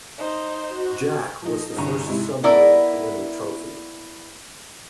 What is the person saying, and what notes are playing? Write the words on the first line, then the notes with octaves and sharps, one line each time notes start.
"Jack" was the first submarine to win the trophy.
D#4 C5
F#4
F3 D#4
G1 C2 D3 A#5 C#6
G#2 C3 G#3 E4
B3 E4 A#4 D5